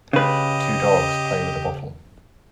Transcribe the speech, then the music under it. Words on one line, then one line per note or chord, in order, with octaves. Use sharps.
Two dogs play with a bottle.
C#3 G4 B4 D#5